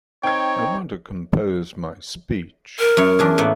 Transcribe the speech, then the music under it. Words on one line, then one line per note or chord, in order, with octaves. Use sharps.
I want to compose my speech.
C4 D#4 C#5 G5 G#6
A#4
F#2 C#5
E2 D4 G#4
A2 A#3 B3